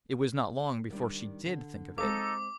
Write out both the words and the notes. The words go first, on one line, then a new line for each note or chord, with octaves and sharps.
It was not long before she did think of it.
D#3 G3 D4
D3
G#3 C4 D#4 A4 F5 D6